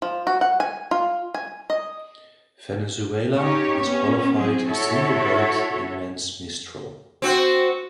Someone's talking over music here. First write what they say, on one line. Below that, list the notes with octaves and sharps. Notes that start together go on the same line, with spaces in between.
Venezuela has qualified a single boat in men's mistral.
F3
F#4
F#5
G#5
F4
G#5
D#5
C#4 D#4 G4 C#5
B3 C#4
F3 F#3 C4 G#4
E4 F#4 A4 C#5 E5
C4 F#4